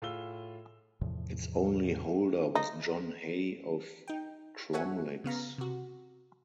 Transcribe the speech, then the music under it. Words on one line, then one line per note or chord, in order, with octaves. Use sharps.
Its only holder was John Hay of Cromlix.
A2 F4 G#4 E6 G7
E2 A2 C3 F3
D#4
D#4 G5
F#4 A4 C#5 E5 F#5 G#5
C#3 B3 F5 A#5
C3 F#4